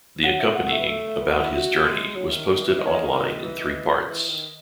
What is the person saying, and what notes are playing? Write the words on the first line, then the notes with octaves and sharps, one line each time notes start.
The accompanying about his journey was posted online in three parts.
F#3 F#5
E5
G#3
F#5
A3
E5
B3
A3 E5
E5
B3
F#5
E4
F#4 E5
G#3
F#3
D#3
D#3
E3
D#3 D#5
C#5
D#5
D#3
E3
E3
D#3